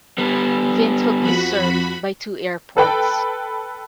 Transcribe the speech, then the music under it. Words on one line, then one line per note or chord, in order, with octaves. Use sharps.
Windhoek is served by two airports.
G3 B3
F2 F#4 B5
A4 B4 G5